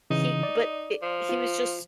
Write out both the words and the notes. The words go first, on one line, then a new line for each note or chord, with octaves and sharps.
he but it he was just
C#3 E3 D#4
D5
F3
F4